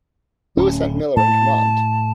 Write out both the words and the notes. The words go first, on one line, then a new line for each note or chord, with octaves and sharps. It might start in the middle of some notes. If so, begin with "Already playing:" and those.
Louis N. Miller in command.
D1 C#4
A2 A5